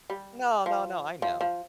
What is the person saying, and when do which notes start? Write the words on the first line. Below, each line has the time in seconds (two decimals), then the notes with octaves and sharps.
No, no, no, I know.
0.10 G3
0.66 F3
1.22 F3
1.41 F3